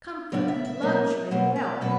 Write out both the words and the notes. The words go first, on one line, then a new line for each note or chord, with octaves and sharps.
Comfort, luxury, wealth!
C#3 F#3 B3 D4 D5
E5
E5
B2 F#3 A#3 C#4
B2 F#3 A#3 C#4
D5
B2 F#3 A#3 C#4 B4